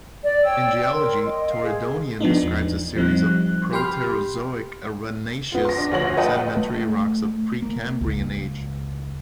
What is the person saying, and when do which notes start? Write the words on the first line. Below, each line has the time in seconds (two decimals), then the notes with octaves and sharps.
In geology, Torridonian describes a series of proterozoic arenaceous sedimentary rocks of Precambrian age.
0.22 D5
0.44 C#5 G5 E6
0.92 A#4 C#5 C6
1.25 D#5
1.49 F5
1.63 G#4
2.20 F3 B3 D4 D#4
2.43 E2
2.96 F3 G3 C4 D#4 F#6
3.73 G4 G5 B5 C6 F6
5.52 B3 F4
5.65 C6 A#6
5.78 D4
5.91 D2 F3 F#4 C#5 A#6 F#7
6.17 F4 B4 D#5 F#5 G5 A5
6.57 A3
7.62 A#3
8.01 C#2